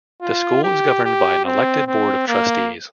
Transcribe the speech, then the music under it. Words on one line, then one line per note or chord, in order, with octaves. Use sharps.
The school is governed by an elected Board of Trustees.
F4
G4
G4
C4
C4
A#3